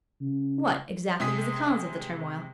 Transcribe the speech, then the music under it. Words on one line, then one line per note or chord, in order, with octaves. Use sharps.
What, exactly was the cause of the turmoil?'
C#3
C3 G#3 G#4 D#6 B6